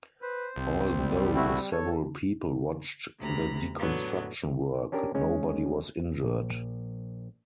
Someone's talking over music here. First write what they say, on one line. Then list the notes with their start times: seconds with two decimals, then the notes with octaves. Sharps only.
Although several people watched the deconstruction work, nobody was injured.
0.22 B4 C5
0.56 C2 C4
0.99 G3
1.36 A3 E4 F#4
1.72 A4 C#5
3.18 D2 C3 A#5 B5
3.79 A2 D3 F#3 B3
4.92 C#4 D4 G4 A#4
5.15 G#3 C#4
6.23 A#1